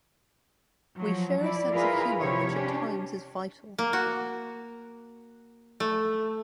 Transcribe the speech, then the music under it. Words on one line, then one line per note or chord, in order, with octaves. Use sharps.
We share a sense of humour which at times is vital.
F3 F#3
F3 E4 D5
E4 F4 G#4 A#4 B4 F5
C3 F3 E4 G4 C#5
C#4 D4 G4
A#3
F#4
A3